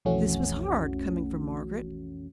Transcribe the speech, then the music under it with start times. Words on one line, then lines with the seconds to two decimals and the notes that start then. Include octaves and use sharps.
This was hard, coming from Margaret.
0.05 B1 F2 E3 A3 C#4 F#4